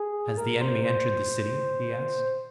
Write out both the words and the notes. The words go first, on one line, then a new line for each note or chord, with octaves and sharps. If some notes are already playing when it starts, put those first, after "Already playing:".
"Has the enemy entered the city?" he asked.
Already playing: G#4
A#4
C5
C5